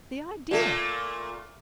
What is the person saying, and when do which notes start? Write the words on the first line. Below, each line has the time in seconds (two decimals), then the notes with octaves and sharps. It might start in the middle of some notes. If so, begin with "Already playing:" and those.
The idea!
0.51 A#2 A3